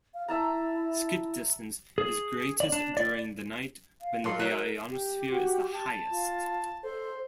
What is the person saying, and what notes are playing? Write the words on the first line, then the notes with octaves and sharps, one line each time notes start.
Skip distance is greatest during the night when the ionosphere is the highest.
F5
E4 E5 A5 A#5
G#4
D5
D4
D5
F5
F#3 F4 A4 A#4 C6
F#3 F#6
G4
F#4
A5
F4
A4 C5